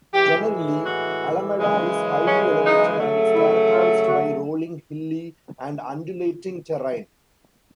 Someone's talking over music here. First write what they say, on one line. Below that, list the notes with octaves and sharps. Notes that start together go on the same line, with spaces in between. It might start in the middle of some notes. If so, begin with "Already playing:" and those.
Generally, Alamada is highly elevated and its characterized by rolling, hilly and undulating terrain.
A2 E3 G#3 G4
F#4
F#2 C#3 E3 G#3
C#4
D#4
C#3 F#3 A3
E4
F4
F#4